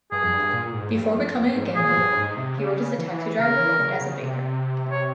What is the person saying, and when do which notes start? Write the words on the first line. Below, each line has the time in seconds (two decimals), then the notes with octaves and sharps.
Before becoming a gambler, he worked as a taxi driver and as a baker.
0.12 G2 G#4
0.23 F2
0.33 G2
0.52 A#2
0.73 G#2
0.94 G2
1.14 F2
1.35 F2
1.46 G2
1.55 G#2
1.76 A#2 G#4
1.96 G2
2.16 G#2
2.37 C3
2.57 C#3
2.98 E3
3.39 C#3 A#4
3.59 E3
3.80 C#3
4.01 C#3
4.21 C3
4.91 C#5